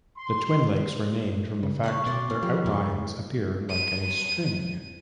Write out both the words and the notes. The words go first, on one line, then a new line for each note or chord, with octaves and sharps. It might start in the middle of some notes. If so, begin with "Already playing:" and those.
The twin lakes were named from the fact their outlines appear like a string.
C6
C#3
C#5 F5 F#5
B2 D5 F#5 C6
C#4
F3 G3
F2 C#3
D#7